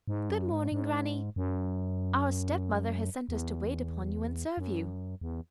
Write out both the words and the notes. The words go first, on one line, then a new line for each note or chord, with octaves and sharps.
'Good-morning, granny; our step-mother has sent us to wait upon you, and serve you.'
G#2
F#2
G#2
G#2
F#2
E2
F#2
E2